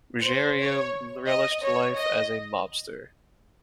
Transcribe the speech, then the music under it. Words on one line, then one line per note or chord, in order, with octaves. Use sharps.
Ruggiero relished life as a mobster.
C5
C#5
D#5
C#5
D#5